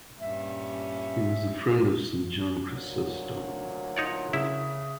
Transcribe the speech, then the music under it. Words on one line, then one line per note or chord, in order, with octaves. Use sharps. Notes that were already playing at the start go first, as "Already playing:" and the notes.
He was a friend of Saint John Chrysostom.
G2 A#2 C#4 E5
D2 A#2 F#3
D#4 F4 C#5 D5
C#3 E4 E5